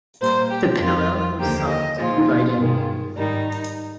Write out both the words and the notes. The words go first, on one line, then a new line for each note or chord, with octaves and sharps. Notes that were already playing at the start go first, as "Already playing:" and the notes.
The pillow was soft and inviting.
A#2 G3 A#3 C5
G4
F2 C3 D#3 F4
D#2 D3 F3 A#3 G4
D#5
A#2 F3 G#3 F4
G2 D#3 G#3
G#2 D#3 G3 D#4